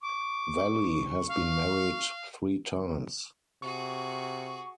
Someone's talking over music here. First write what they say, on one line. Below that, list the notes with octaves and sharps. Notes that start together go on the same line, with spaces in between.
Valli has been married three times.
C#6 D6
F5
C3 F#4 G#4 C#6